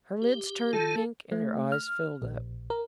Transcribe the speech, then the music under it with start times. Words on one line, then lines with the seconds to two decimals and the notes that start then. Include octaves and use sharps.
Her lids turned pink and her eyes filled up.
0.22 G4
0.73 D#3 F4 A4
1.32 A3
1.72 F6
2.22 A#1
2.70 A#4